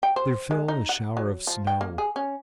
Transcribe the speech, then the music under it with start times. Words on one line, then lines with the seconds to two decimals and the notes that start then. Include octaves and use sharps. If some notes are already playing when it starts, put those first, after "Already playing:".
There fell a shower of snow.
0.03 G5
0.16 C5
0.51 G#3
0.68 D#4
0.89 F#5
1.17 F#3
1.47 F3
1.67 G5
1.81 A#3
1.98 G#4
2.16 C#4